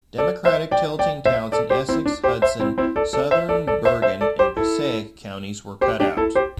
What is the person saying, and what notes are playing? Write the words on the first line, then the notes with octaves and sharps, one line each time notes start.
Democratic-tilting towns in Essex, Hudson, southern Bergen and Passaic counties were cut out.
A4 D5
C5 E5
D5 G5
D5 G5
C5 E5
A4 D5
G4 C5
C4 E4
D4
G4 C5
C5 E5
C4 E4
C4 E4
A4 D5
A4 D5
C5 E5
A4 D5
A4 D5
C5 E5
C5 E5
A4 D5
G4 C5
E4 A4
G4 C5
D4 G4
E4 A4
G4 C5